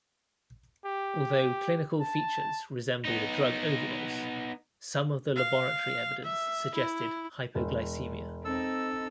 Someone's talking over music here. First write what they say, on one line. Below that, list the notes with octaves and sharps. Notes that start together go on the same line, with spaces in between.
Although clinical features resembled a drug overdose, some of the laboratory evidence suggested hypoglycemia.
G4
A5
B3 D#4
F5
E5
E4
E1
C4 D#4 A4 E6